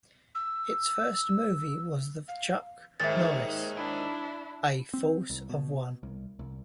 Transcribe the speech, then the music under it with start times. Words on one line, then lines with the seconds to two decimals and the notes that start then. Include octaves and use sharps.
Its first movie was the Chuck Norris', "A Force of One".
0.35 E6
2.28 F5
3.00 D#2 G#2 D#3 E5 A6
3.76 D4 E4
4.94 C4
5.30 C2
5.49 B2
6.03 C2
6.39 C2